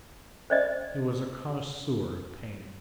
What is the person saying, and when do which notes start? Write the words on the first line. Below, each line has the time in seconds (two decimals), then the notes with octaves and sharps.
He was a connoisseur of painting.
0.50 C5 D5 D#5